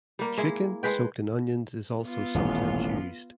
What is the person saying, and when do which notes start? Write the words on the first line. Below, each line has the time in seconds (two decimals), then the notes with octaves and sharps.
Chicken soaked in onions is also sometimes used.
0.19 G3 A#3
0.38 G#3 E4
0.83 G#3 B4 G5
2.03 B3 F4
2.34 D#1 A1